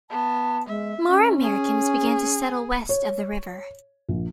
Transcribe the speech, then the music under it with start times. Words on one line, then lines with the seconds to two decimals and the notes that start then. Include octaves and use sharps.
More Americans began to settle west of the river.
0.10 B3 A5
0.68 G#3 E5
1.08 C#4
1.41 G#4
2.89 C#5
4.09 A#1